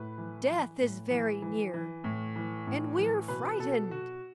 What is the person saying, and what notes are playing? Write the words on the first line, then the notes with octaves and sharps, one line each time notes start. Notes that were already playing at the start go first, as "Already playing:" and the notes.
'Death is very near, and we are frightened!'
Already playing: A2 B4
E3
E3
A2
E3
E3
E3
A2
E3
A2
E3
B2 B4
B2 A4
B2 F#4